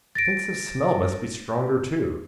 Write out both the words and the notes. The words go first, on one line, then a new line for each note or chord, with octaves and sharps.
Sense of smell must be stronger too.
A6 A#6 D7